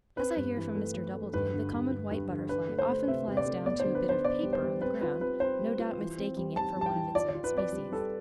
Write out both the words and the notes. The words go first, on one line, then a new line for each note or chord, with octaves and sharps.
As I hear from Mr. Doubleday, the common white butterfly often flies down to a bit of paper on the ground, no doubt mistaking it for one of its own species.
C4 B4
G2
E3
A3
A3
A3
G2 B4
D3
G2
G2
G2
D3
D4 B4
A3
C5
A3
C3 E5
C3
D5
A3
B3 D5
D3 C5
B4
B3 C5
B3 D5
G3
C5
G3
C4 B4
F4 B4
C4 B4
C4 C5
G3
F4
E3
C4
G3
G3 A5
G3
A5
G5
E3
F4 D5
D5
F4
B4
C4 D5
G3
G3 A4